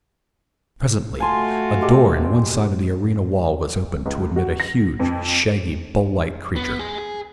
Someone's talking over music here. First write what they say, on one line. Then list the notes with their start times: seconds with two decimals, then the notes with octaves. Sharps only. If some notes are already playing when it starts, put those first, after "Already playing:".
Presently a door in one side of the arena wall was opened to admit a huge, shaggy, bull-like creature.
1.20 A3 F4 F#4 G#5 A5 C6
1.81 G#3 G4 E6
4.06 C#2
4.36 F#4
4.60 A#6
5.00 F2
6.56 B3
6.80 G#3 G#4
6.98 G#4